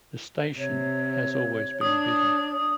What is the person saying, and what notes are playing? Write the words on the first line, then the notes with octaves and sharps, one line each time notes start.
The station has always been busy.
C3 C#5
D4 C#5 D#6